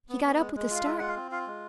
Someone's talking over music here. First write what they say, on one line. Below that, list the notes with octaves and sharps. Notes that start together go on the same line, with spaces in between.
He got up with a start.
B3
B3
G#3
G#3
F4 F5
G#3 E5
F4 F#5
F5
C4
F4 F5
G#3